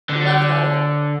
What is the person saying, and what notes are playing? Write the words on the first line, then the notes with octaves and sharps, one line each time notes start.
he loves life.
D3